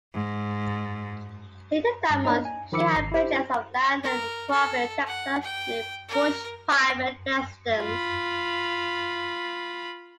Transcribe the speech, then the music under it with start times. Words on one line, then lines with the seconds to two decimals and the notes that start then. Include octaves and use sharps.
Later that month, Sheehan purchased of land in Crawford, Texas, near Bush's private residence.
0.13 G#2
2.10 G2
2.25 A#3 D4 D#4 C#5 D#5 A#5
2.45 G#5
2.72 D#3 F3 B5 D6 E6 C#7
2.96 G#1 C7
3.12 E4 G4 C5
4.03 A#4
4.51 A4
5.07 F#5
5.43 G5
6.09 A#4
7.78 F4 B5